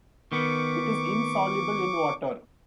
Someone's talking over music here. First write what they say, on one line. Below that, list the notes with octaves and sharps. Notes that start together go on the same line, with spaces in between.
It is insoluble in water.
D#3 B3 C#6 D6